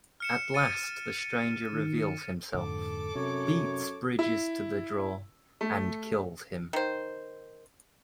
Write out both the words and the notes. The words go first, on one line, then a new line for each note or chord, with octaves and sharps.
At last the Stranger reveals himself, beats Bridges to the draw, and kills him.
F6 C#7 E7
A6 C#7 D#7
D#3
F2 G#2 D3 A4 D6
F#2 C3 C#5
E4
A3
D#3 C5